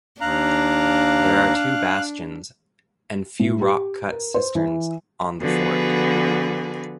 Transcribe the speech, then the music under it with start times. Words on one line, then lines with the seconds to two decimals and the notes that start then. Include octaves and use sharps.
There are two bastions and few rock cut cisterns on the fort.
0.21 D#2 D4 F5 A#5 F#6
3.40 A2
3.62 G4
4.11 A#4
4.34 C5
4.55 E3
5.40 D3 F3 B3 F#4 G#4 B4